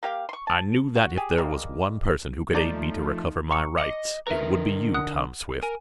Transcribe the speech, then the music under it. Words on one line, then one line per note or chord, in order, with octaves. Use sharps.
I knew that if there was one person who could aid me to recover my rights, it would be you, Tom Swift.
A#3 G4 F5 G5
C6 C#6
A5
F#4
G4 G#4
G3 G#3 A#3
F3 A3 D#4 D5 A#5
A#5 C#6 C#7
D#5 D6 C#7
D3 A#4 B4 E5 A#5
F#5 D#6 F#6
A#4 G#5